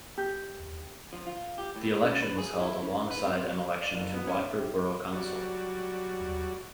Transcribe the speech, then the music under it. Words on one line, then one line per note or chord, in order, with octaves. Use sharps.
The election was held alongside an election to Watford Borough Council.
G4
F3
F4
G4
A2
C#4
B4
G#4
E4
C#3
B4
C4
F#3
D5
F#1
B3
C#4
E5
G4
F#3 G3 F#4 D5